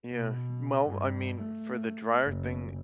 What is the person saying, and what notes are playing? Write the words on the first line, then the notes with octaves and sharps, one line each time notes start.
Yeah, well, I mean, for the dryer thing,
B2
G2
A3
F#1